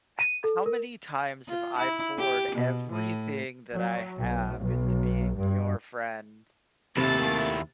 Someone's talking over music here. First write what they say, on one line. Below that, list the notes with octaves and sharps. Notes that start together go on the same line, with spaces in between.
"H how many times have I poured everything that I have into being your friend
D#7
A4
A#4
F4
E4
G4
B2
A2
F#3
B1
B1
G2
D#2 C3 A3 A#3 E4 A6